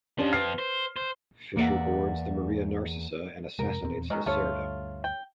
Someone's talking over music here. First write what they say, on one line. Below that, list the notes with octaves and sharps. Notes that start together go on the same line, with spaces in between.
Fisher boards the "Maria Narcissa" and assassinates Lacerda.
F2 F3 C#4 D4 G4
B4 F6 C7
C5
C5
E2 A#3 G#4 D5 E5 F#5
F2 C3 G#3 A#4
D#1 E2 C4
D#3 F#3 G#3 C#4 D#5
D2 G2 A3 F4 A4 C#5
G5